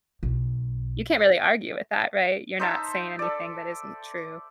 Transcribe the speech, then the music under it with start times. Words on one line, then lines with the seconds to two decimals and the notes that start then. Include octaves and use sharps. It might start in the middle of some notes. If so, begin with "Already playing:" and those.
you can't really argue with that, right? You're not saying anything that isn't true.
0.23 B1
2.59 D#4 C5 E5 A5
3.19 A4 D5